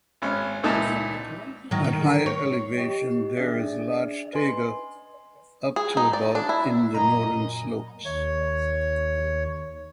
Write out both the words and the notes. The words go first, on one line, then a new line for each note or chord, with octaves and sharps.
At higher elevations there is larch taiga up to about in the northern slopes.
G#1 C#4
C#2 A#2 D#4 E4 E5 A5
D#3 F#3
D#3
C#5
G4 D#5 G5
C#4 D4 G#4 D5 E5 A6
B4 D#5 G#5 C6
G#4
D#4
D5
D4
E4
F#2 A#2 D#5 A#5
D#2 C#5